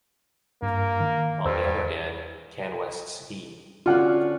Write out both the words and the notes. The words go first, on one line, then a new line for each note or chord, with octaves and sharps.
On the other hand, Canwest's E!
G2 A#3
D#3
E2 G2 C5 E6
D3 C#4 F4 F#4 F#5